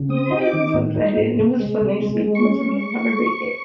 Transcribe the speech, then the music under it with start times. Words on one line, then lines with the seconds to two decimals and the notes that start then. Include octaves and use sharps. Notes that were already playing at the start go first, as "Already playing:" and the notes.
Yes, I'm so excited, and it was so nice speaking to you, have a great day.
Already playing: C#3
0.09 C4 D#6
0.31 D#4
0.41 D6
0.53 D#3
0.74 A2
0.95 D#4
1.17 A2
1.38 C3
1.60 G#3
1.81 C3
2.02 G#3
2.24 G#3
2.35 C#6
2.45 C#4